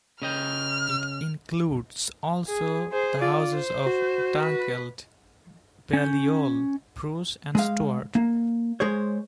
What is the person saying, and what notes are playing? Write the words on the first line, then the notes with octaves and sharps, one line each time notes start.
It includes also the Houses of Dunkeld, Balliol, Bruce, and Stewart.
C#3 D#5 G5 F6
G#4
G#4 C5
F4 D5
C5
F#4
B4
C#4 G6
G#3 F5
A#3
G#3 G#4 C5 C#5